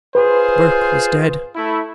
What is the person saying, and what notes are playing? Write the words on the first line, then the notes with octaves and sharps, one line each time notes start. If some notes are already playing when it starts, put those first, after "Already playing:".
Burke was dead!
F4 G#4 B4 C5
A3 E4